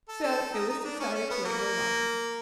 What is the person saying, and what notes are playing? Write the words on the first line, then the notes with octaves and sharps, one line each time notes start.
So it was decided to wait no longer.
A4
A4
D#4
D#4
D#4
D4
C#4
C#4
B3
A#3